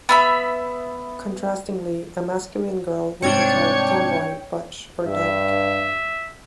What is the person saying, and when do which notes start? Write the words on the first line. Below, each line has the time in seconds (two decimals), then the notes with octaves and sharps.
Contrastingly, a masculine girl would be called a "tomboy", "butch", or "dyke".
0.09 B3 E5 B5
3.22 G#2 C3 G3 D4 C#5 G5 G#6 C#7
5.07 G2 E5